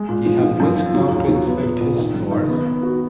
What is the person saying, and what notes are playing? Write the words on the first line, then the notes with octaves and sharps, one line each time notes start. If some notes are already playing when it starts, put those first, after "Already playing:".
He had whisked out to inspect his stores.
Already playing: G#3
A#2
F3
F3
F#2
F3
F#3
D#2
F#3
B3
A#2
A#1
D#3
F#2
D#3
B3
B3
F#4